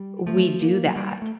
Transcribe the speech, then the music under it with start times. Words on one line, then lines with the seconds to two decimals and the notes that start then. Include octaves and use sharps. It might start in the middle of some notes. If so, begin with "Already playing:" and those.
we do that.
Already playing: G3
0.26 F3 A3
0.60 A#3
0.88 F#3
0.96 G3
1.22 A3